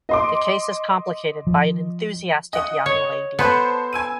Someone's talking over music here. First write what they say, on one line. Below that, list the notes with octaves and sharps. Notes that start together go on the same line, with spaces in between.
The case is complicated by an enthusiastic young lady.
D#5 C6 D6
F3
D#5 F#5 D#6
C#5
B3 A4 C5
G#5 E6 D#7